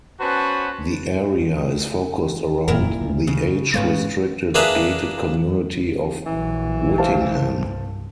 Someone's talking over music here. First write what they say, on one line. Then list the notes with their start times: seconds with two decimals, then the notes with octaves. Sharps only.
The area is focused around the age-restricted gated community of Whittingham.
0.20 B3 C#4 F#4 B4 C5 A5
2.68 D#1 F#2 A#2 E4 A#4
3.01 D2
3.27 C#3
3.74 G#2 G#3 A3 B3 C#4 F4
4.55 A#3 D4 G#4 B4 E5 A#5
6.26 A#1 A#2 E3 F#3
6.98 C5 F5 A5
7.31 C2 G2